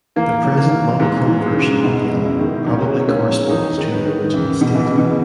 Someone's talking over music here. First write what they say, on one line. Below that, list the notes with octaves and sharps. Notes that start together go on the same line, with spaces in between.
The present monochrome version in yellow probably corresponds to the original state.
E3 A#3
F#3
A#3
E3
F#3
G#2 E3
E3
G#3
C#3
B2 E4
C#3
E4
D#3
F#3 C#4
G#3
A#3 C#4
F#3
E3 D#4
D#3
B3
D#3
C#3 E3
B2
E3
C#3
B2
C#3